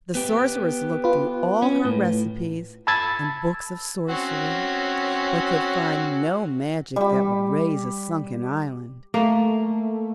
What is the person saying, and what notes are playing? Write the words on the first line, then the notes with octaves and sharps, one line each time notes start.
The Sorceress looked through all her recipes and books of sorcery, but could find no magic that would raise a sunken island.
B3 G4
F4 B4
C#4
A2
A5 B5 E6 G#6 A6
C4 C#4 F#4
G3 G4
A3 A#3